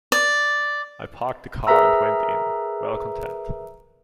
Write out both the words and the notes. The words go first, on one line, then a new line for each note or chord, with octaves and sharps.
I parked the car, and went in, well content.
D5
G#4 A#4 B4 E5 A#5 E6